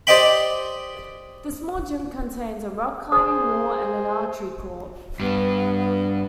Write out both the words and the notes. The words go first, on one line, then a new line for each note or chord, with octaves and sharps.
The small gym contains a rock climbing wall and an archery court.
G4 C5 D5 D#5 G5 B5
G#4 C5 D#6
G2 B3